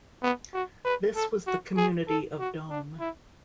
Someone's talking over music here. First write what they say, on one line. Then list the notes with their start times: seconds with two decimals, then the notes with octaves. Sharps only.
This was the community of Dome.
0.23 B3
0.53 F#4
0.85 B4
1.16 A4
1.47 F#4
1.77 G#4
2.09 A4
2.39 F#4
2.70 D4
3.00 E4